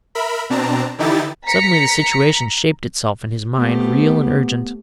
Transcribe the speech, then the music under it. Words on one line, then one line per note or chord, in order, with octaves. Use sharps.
Suddenly the situation shaped itself in his mind real and urgent.
A#4 E5 B5
B2 C4 D4 A5 A#5
D3 E3 D#4 E4 G4 A6
A#5 B6 C#7
A3 B3 C4 G4